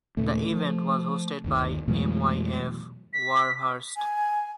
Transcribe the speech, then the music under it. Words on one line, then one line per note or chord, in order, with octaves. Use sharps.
The event was hosted by Myf Warhurst.
D#2 A#2 C#3 A3
F3
G1 D#2 D#3
F2 B2 E3 F#3 G#3 A3
B6
G#5